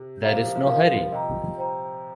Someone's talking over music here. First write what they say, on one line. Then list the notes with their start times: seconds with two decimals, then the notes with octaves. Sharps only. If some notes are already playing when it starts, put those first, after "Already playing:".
There is no hurry.
Already playing: C3
0.22 A#2 C5 F5 A#5
0.33 C3
0.44 F3
0.56 F3
0.66 F3 F4 A#4 F5 C6
0.82 G3
0.97 F3
1.12 C3 F4 D#5 G5 A#5
1.57 C5 G5 A#5